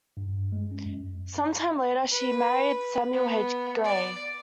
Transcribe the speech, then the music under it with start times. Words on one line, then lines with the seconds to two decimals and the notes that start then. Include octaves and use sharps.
Sometime later, she married Samuel H. Gray.
0.17 G2
0.52 G#3
0.71 C#4
0.86 F#2
2.11 B4
3.13 B3
3.84 D5